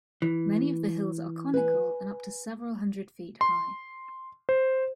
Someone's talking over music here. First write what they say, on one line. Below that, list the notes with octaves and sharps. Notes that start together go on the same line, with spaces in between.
Many of the hills are conical and up to several hundred feet high.
E3
B4 G#5
C6
C5